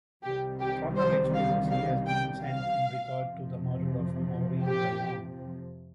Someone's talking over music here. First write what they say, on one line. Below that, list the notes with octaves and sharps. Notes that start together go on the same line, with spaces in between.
Trotter explains he has been sent in regard to the murder of Maureen Lyon.
C2 C3 D#3 G3 G4
G4
C5
F5
F5
G5
F5
F2 C3 F3
G4